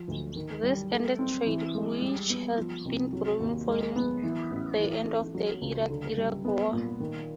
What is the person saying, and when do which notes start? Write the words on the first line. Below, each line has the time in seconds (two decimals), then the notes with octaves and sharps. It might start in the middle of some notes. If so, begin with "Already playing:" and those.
This ended trade, which had been growing following the end of the Iran-Iraq War.
Already playing: F3
0.08 D2
0.36 D#3
0.63 G3
0.91 A3
1.19 C4
1.47 E3
1.75 G#3
2.02 G3
2.30 B3
2.58 F3
2.85 C2
3.13 F#3
3.40 D#2
3.68 G#3
3.96 B3
4.23 E3
4.51 A1
4.78 E3
5.07 A3
5.35 F#3
5.62 C#2
5.90 D3
6.18 G3
6.45 B3
6.73 A#2
7.00 D#3